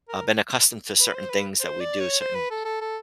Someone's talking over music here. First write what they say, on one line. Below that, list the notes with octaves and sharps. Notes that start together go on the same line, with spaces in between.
uh, been accustomed to certain things that we do, certain s
A#4
B4
C5
B4
C5
D5
C#5
C5
B4
A4
A4
A4